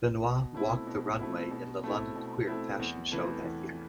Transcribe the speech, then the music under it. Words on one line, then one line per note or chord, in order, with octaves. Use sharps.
Benoit walked the runway in the London Queer Fashion Show that year.
B2
A3 C4 E4
B2
A3 C4 E4
B2
A3 C4 E4
B2
A3 C4 E4
E2
C3 E3 A3
E2